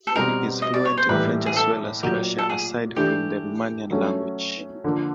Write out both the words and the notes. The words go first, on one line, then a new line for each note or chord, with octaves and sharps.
He is fluent in French as well as Russian aside from the Romanian language.
A4
B2 G3 C4 D#4 A#4
D#5
D5
C#5
C5
A2 E3 G3 A#3 D#4 B4
G#4
A4
A#2 F#3 A#3 D#4 G4
A4
G#4
E3 A3 D4 G4
F#3 A3 C#4
D3 F3 A#3